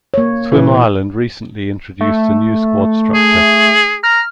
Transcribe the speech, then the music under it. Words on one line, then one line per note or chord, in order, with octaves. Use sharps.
Swim Ireland recently introduced a new squad structure.
A#3 C#5
A#2 E3
A3
G#4
A#5 F6